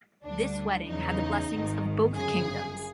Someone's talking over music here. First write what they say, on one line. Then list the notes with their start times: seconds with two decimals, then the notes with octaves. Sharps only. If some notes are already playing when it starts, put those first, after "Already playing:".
This wedding had the blessings of both Kingdoms.
0.24 D2 D3 G3 D4
0.88 E2 C#3 E3 D#4
1.51 G#1 G#2 D#3
2.15 G1 F#2 C#3 G#4